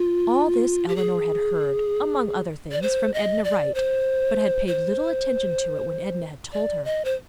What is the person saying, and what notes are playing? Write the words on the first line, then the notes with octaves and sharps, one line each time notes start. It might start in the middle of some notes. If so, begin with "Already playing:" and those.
All this Eleanor had heard, among other things, from Edna Wright, but had paid little attention to it when Edna had told her.
Already playing: F4
G4
G#4
D5
C5
D#5
D5
C5
C5
D5
D#5
C5